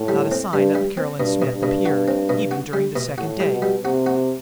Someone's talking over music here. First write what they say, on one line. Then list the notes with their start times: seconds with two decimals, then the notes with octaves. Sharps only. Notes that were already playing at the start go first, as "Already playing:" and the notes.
Not a sign of Caroline Smith appeared even during the second day.
Already playing: A2
0.08 G3
0.32 C4
0.53 G2 G3
0.75 G3
0.97 C4
1.19 G2 B2
1.42 B2
1.52 G2
1.63 B2
1.85 F#4
2.08 C4
2.29 B2
2.51 F#4
2.73 G3
2.96 B2
3.18 A2 F#4
3.40 G3
3.51 B2
3.62 G3
3.84 C3 F#4
4.06 F#4